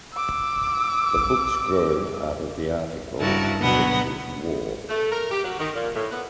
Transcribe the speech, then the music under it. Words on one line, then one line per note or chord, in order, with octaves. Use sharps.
The books grew out of the article Sex Is War!
D6 E6
G2 C#3 E4 F#4 A#4 A5
D2 B2 F#3 B3 F#5
A3
A#4
G4
F#3
D#3
A#2
A2
B3